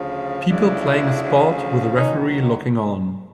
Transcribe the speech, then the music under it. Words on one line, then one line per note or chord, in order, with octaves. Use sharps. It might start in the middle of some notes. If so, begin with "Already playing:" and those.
People playing a sport with a referee looking on.
Already playing: D2 C#3 F3
D2 C#3 F3 D4 E4
D2 C#3 F3
D#2 D#3 F#3 C#4 D#4